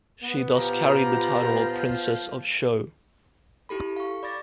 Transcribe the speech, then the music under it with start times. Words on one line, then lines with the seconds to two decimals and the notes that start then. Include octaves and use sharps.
She thus carried the title of Princess of Shou.
0.22 B3
0.56 A#2 F3 G4 A#5
3.69 E4 G4 A4 B5
3.96 F5 C#6
4.23 D5 B5 D6 A6 A#6